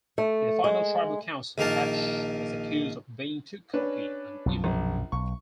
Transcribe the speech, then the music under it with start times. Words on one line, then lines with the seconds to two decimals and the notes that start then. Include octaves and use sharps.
In the final tribal council, Hatch was accused of being too cocky and evil.
0.18 A3
0.64 G#3
1.58 A#1 D#3 A#3 A#4 A5
3.73 C#4 D4 B4
4.46 B1 F#2 F3
4.64 A#1
5.12 B1 C#6